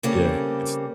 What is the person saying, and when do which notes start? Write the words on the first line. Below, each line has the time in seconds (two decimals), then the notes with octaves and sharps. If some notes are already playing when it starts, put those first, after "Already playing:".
yeah, it's
0.03 C#3 G3 A#3 C4 A4